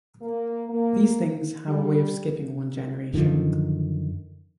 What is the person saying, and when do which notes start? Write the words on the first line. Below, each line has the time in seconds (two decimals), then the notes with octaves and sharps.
These things have a way of skipping one generation.
0.22 A#3
0.69 A#3
1.67 G3
3.13 F#2 D3 D#3 F3